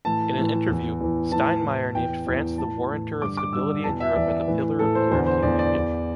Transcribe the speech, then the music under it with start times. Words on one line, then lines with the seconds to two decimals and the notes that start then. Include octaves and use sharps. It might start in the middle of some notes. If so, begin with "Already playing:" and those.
In an interview, Steinmeier named France the warrantor of stability in Europe and the pillar of the European Union.
0.05 A2 E3 A5
0.37 A2 E3
0.68 E2 E3
1.00 E2 E3
1.32 A2 E3 A5
1.64 A2 E3
1.95 E2 E3 G5
2.26 E2 E3
2.58 A2 E3 A5
2.90 A2 E3
3.21 G2 D3 D6
3.37 D6
3.53 G2 D3 E6
3.84 E2 E3 A5
4.00 E5
4.16 E2 E3 D5
4.48 A2 E3
4.79 A2 E3 A4
4.95 C5
5.11 E2 D3 C5
5.26 C5
5.43 E2 D3 D5
5.59 D5
5.74 E2 E3